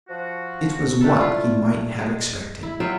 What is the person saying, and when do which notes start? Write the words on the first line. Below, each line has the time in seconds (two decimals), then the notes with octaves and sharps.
It was what he might have expected.
0.09 F3 F#4
1.01 A3 D4 E4 A4
1.16 E4 F4
1.99 G#3
2.63 E4
2.80 F#3 F4 E5 G5